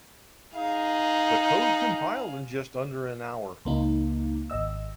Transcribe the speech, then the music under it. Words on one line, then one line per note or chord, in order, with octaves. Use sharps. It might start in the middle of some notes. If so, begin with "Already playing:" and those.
The code compiled in just under an hour.
D#4 G#4 F5
C#2 A#3 D#4
G#1 D#5 E6